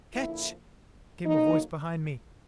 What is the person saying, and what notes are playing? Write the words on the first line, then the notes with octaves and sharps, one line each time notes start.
"Catch!" came a voice behind me.
D3 F3 A#3 E4
D3 F#3 A#3 D#4